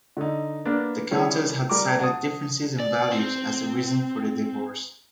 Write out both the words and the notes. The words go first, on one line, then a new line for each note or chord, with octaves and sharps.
The Countess had cited differences in values as the reason for the divorce.
D3 D#4
A#3 B3 D4
G3 C#4 E4 G#4
G3 A#4 D6
F#5 A5 D#6
D5
C4